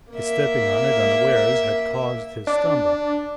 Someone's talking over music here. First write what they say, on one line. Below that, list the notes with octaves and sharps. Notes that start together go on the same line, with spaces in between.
His stepping on it unawares had caused his stumble.
A#3 E5
D4